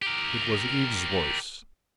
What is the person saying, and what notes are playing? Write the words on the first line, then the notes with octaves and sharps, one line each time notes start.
It was Eve's voice.
G4 A#4